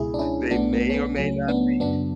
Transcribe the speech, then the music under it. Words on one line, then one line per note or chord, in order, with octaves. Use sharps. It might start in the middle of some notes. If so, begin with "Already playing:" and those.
They may or may not be
Already playing: C#2 B2 G#3 E4 G#4
D4
C#4 E4
B1 B2 A3 B3 D4
B3
C#4
B3
C#2 C#3 F#3 A3 C#4
B3 D4
F#2 C#3 F#3 B3 D4